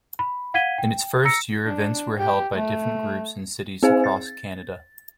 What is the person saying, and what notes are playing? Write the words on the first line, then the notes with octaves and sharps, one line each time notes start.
In its first year events were held by different groups in cities across Canada.
B5
F5 F#5 G#6 B6 D#7 G7
G5
A#5 E6 A#6 C#7
D4
G4
A3
C4 G#4 C5 F5 G#5
A6